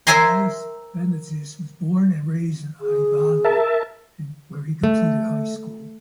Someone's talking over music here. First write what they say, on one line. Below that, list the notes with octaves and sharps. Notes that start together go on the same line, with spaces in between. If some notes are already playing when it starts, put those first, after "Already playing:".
Elias Venezis was born and raised in Ayvali, where he completed high school.
A#4 C5 E5 G#5 A#5 C6
G#4
A#4 E5 A5
A3